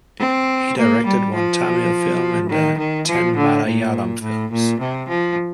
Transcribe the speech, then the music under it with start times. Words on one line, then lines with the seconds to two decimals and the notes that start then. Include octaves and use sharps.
He directed one Tamil film and ten Malayalam films.
0.19 C4
0.77 A#3
1.06 G3
1.35 F3
2.49 D#3
2.78 D#3
3.07 F3
3.37 D3
3.65 A#2
4.22 A2
4.51 A#2
4.80 C3
5.08 F3